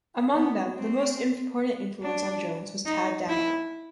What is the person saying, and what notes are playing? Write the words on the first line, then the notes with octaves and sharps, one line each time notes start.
Among them, the most important influence on Jones was Tadd Dameron.
B3
C4
D4
D#4
E4